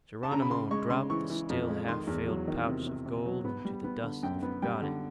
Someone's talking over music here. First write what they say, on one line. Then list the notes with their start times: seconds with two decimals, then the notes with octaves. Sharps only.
Geronimo dropped the still half-filled pouch of gold into the dust and forgot it.
0.23 A5
0.31 C#3 A#5
0.42 B5
0.51 C#3 C6
0.71 G#3 C#6
0.90 C#3 C6
1.10 E3 C#6
1.30 E3
1.50 F2
1.69 G#3
1.88 D#3 C6
2.07 E2
2.27 F#3
2.48 D#3
2.67 C3
2.87 C3
3.06 C3
3.26 F#3
3.45 B3
3.65 G3
3.84 B3
4.03 D3
4.23 F#2 G5
4.43 B3
4.62 G3 G5
4.82 D3